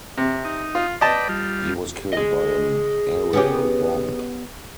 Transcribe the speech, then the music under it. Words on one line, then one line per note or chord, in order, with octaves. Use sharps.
He was killed by an aerial bomb.
C3
D#4
F4
B4 D5 D#5 G5 A5
G3 F4
G#4 D#5
B3 C#4 G4